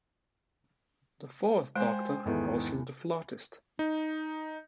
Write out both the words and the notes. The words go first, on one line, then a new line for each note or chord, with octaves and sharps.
The Fourth Doctor calls him the flautist.
G#3 C5 G5 G#5
E2 G#2 D#3 E3 B3 A4
D#4